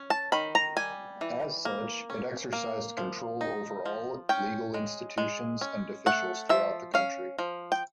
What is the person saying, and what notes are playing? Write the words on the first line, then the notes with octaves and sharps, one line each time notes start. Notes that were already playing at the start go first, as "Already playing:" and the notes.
As such, it exercised control over all legal institutions and officials throughout the country.
Already playing: C#4
A5
D#3 B5
A#5
G3 G#5
E3
A#3
C#4
A#3
F3
D#4
F3
C#4 G5
G#3
G#3
C#4
A3 F#5
F3 E5
C#4 F5
F3
G5